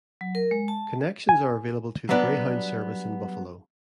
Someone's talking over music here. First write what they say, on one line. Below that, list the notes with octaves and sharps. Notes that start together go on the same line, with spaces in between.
Connections are available to the Greyhound service in Buffalo.
F#3
A#4
G#3
A5
G#5
F#3 G3 B3 D4